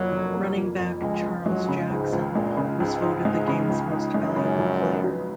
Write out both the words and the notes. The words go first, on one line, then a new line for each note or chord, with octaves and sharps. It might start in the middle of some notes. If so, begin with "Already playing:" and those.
Running back Charles Jackson was voted the game's most valuable player.
Already playing: F1 F2 F3 F#3 A#3
F1
A#3
F3
F2
C#2 G#3
C#2
F#3 G#3
C#3
C#2 G#2
C#2
A#2 G#3
C#3
C#2 G#2
D#4
G#3
C#3
C#2
D#4
F#2 G#3
C#3
A#1
B3
F#3